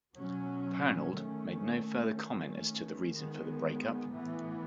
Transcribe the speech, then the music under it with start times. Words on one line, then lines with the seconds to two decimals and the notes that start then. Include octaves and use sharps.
Pernald made no further comment as to the reason for the break-up.
0.15 B2 F#3 C#4
1.14 D#3 A3 C#4
2.14 D#3 A3 C#4
3.12 D#3 G#3 B3
4.10 A2 E3 B3